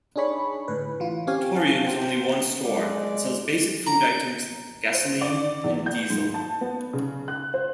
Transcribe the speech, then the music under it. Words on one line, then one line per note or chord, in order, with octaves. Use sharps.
Torreon has only one store, and sells basic food items, gasoline, and diesel.
D4 D#4 G#4 C#5 B5 C#6
A2 D3 B4
E3 F4
C4 C#4 G4 C#5 F5 G#5
F5 F#5 A5
C5 G5
G#3 D5
A#5
C5
D5
E2
G6
G#2
A5
B3
C#3
F#6
C5